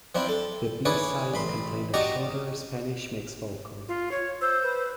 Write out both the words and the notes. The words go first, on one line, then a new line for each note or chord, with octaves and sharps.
The B-side contained a shorter Spanish Mix vocal.
F3 C4 D4 E4
A4
E4 G#4 B4 C#5 D5
A1 B5 C6
F#4 G4 D5 D#5 A#5 C#6
F4
C#5
C5 E6
B4